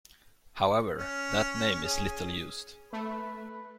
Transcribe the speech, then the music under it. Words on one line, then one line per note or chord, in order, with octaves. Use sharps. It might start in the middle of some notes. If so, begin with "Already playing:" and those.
However, that name is little used.
C#4
G#4
A3 B4